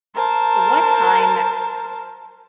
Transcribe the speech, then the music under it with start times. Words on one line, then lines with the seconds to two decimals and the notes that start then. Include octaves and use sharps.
what time
0.15 A#4 C5 A5